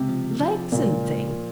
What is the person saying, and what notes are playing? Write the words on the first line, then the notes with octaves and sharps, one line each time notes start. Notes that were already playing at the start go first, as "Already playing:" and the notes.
Legs and things!
Already playing: C#2 C3
F3
F3
C#2 A#2
F3